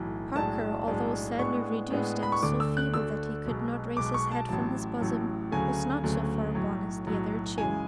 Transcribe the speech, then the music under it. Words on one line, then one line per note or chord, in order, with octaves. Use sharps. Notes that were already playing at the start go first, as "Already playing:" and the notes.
Parker, although sadly reduced, and so feeble that he could not raise his head from his bosom, was not so far gone as the other two.
Already playing: B1 A2 E3
B1 A2 G#3 D4 A5
B1 A2 G#3 D4
A2 G#3 B3 D4 C#6
A2 G#3 B3 D4
B5
C#6
D2 D3 A3 D6
E6
F#6
D2 D3 A3 E6
B1 B2 G#3
B1 B2 G#3 D6
C#6
A5
A1 A2 F#3 A5
A1 A2 F#3
D2 C#3 F#3 A3 G#5
D2 C#3 F#3 A3
B1 A2 F#3
B1 A2 F#3
F#2 C#3 E3 G#3 G#5